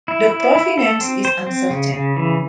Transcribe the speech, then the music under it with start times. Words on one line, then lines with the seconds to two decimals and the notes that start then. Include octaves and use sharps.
The provenance is uncertain.
0.08 E4
0.31 E4
0.55 E4
0.78 A4
1.01 C4
1.25 C5
1.47 C4
1.70 C#3
1.94 C#3
2.17 E3